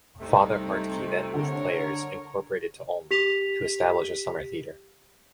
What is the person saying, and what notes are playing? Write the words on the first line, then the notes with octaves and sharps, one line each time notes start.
Father Hartke then moved Players, Incorporated to Olney to establish a summer theater.
C2 C3 A3 D#4
D3 A#4 C#5
G4 B6 F7